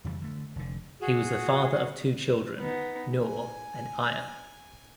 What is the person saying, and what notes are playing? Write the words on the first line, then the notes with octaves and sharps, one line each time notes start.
He was the father of two children, Nour and Aya.
F2 C#3 E3 G3
D3 A3
F1 D3
F#4 G#4
B3 D#4
G#5